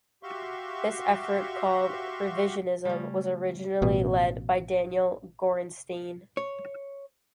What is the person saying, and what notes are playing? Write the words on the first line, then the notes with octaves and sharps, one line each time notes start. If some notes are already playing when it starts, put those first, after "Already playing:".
This effort, called "revisionism", was originally led by Daniel Gorenstein.
F#4 G4 E5 F5 C6 C#6
C#3 G3 A3 C#4
A1 B2
C#5